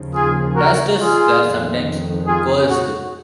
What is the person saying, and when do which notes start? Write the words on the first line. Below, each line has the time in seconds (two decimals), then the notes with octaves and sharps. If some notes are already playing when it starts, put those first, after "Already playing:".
Tasters were sometimes coerced.
Already playing: D#2 C#3 F3
0.14 F4 G#4
0.56 F#4 A#4
0.99 F4 G#4
1.41 F1 F2 D#3
2.27 F4 G#4
2.70 F#4